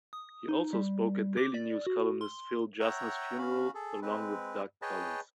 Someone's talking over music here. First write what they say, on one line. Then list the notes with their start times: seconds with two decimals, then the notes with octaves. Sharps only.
He also spoke at Daily News columnist Phil Jasner's funeral, along with Doug Collins.
0.13 D#6
0.49 D#4
0.73 G3
1.37 D6
1.54 D5
1.87 F#4
2.21 C6
2.80 C#5 E5 F#5 G5 A#5
3.38 C#4 F#4 F5 B5
3.74 G#4 A4
4.02 G#3 C4 B4
4.82 G#4 B4 C#5 D#5 G5 A5